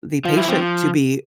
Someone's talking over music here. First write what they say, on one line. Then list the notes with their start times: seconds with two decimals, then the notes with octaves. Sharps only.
the patient to be
0.25 F3 F4
0.37 E4
0.48 F3 C4